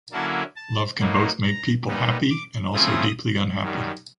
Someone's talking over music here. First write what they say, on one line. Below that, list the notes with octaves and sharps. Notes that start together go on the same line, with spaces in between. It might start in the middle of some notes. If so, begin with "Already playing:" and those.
Love can both make people happy and also deeply unhappy.
D3 F#3 A#3 C#4 E4 A5
A5
A2 F#3 A#3 D#4
A#5
A#2 G3 B3 D#4
D6
C#3 F3 A3 C4 E4 D#6
F#2 D#3 G3